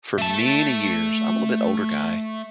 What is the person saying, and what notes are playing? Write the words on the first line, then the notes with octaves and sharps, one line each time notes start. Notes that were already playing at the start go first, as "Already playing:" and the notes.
For many years I'm a little bit older guy.
A3 A5